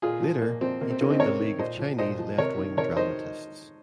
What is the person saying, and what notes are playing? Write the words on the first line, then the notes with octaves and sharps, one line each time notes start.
Later, he joined The League of Chinese Left-Wing Dramatists.
A#2 F4 G#4
F3
A#2 A#3
F3 C4
C3 A#3
C4
D#3 A#3 C#4
C4 D#4
C3 A#4 C#5
D#3
A#2 C5 D#5
F3
A#2 C5 D#5
F3
C3 A#4 C#5
D#3
C3 A#4 C#5
D#3 C5 D#5